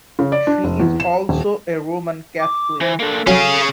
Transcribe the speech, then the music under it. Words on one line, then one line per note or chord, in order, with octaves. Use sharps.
She is also a Roman Catholic.
C#3
D5
D4
F1
E2
E7
D#1
D6
E3 C5
A#3 D4 A4
F#3 C#4 G#4 F5